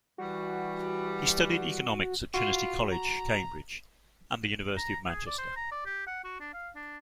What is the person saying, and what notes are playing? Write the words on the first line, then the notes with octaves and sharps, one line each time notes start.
He studied Economics at Trinity College, Cambridge and the University of Manchester.
E3 G3 F#4
F4 F#4
A#5
A#5
G#4
D5
C5
A#5
D5
G4
F#5
F#4
D4
F5
D4